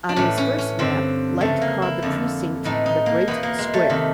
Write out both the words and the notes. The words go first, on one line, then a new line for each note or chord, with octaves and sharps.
On his first map, Light called the precinct 'The Great Square'.
D4
A2 E3 C#4
C#4
C#4
G2 D3 C4
F2 C#3 E3 A3
A#3
E4
F2 D3
A2 E3 D#4
D#4
A#3
E2 B2 B3
A#3
G#3
A3
C3 D#3